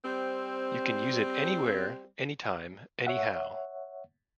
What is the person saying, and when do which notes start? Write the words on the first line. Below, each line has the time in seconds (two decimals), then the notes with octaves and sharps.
You can use it anywhere, anytime, anyhow.
0.05 G3 C4
3.07 C#5 E5 F#5